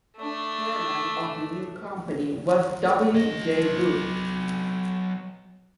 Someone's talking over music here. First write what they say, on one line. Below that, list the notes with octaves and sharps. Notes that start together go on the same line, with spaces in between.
Chairman of the new company was W J Booth.
A3 D4
F#3 D#5